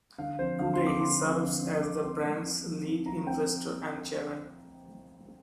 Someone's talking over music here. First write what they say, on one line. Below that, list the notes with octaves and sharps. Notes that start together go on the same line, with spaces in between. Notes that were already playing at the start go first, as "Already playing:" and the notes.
Today he serves as the brand's Lead Investor and Chairman.
D3 F5
F3 C4 C5
D3 F5
C6
F3 C4
D6
D3 C6
F3 C4
D3
F3 C4
F3 D6
C4 C6
F3
C4
F3
C4
F3 A#5
C4 G5